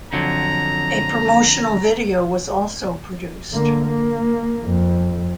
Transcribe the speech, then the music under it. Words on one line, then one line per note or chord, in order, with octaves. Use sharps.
A promotional video was also produced.
F2 D3 F#3 A#5
D3 A#3
A#3
F2